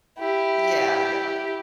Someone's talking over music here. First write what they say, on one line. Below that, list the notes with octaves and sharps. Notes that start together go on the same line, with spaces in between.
Yeah, yeah.
E4 G4